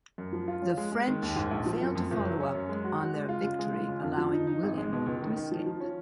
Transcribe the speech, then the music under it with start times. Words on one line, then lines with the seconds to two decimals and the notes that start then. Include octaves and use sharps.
The French failed to follow up on their victory, allowing William to escape.
0.18 F#2
0.33 F3
0.48 F4
0.62 C#4
0.77 G#3
0.92 G#3
1.07 D#3
1.22 D#2
1.36 G#2
1.51 A#1
1.66 F3
1.81 F#2
1.95 F2
2.11 F#1
2.25 F#3
2.40 C#4
2.55 F#2
2.69 G#3
2.84 F#4
3.00 F#4
3.14 G#3
3.29 F4
3.43 C#3
3.59 G#3
3.73 F4
3.88 C#3
4.03 F2
4.17 F3
4.33 D#4
4.47 D#4
4.63 G#1
4.78 G#3
4.93 B2
5.06 C#2
5.22 D#3
5.37 D#3
5.51 F3
5.66 F3
5.80 C#4